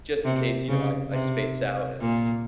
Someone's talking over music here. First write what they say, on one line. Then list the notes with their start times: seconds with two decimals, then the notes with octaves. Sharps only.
just in case, you know, I I space out and,
0.25 C3
0.69 C#3
1.12 C3
2.01 A#2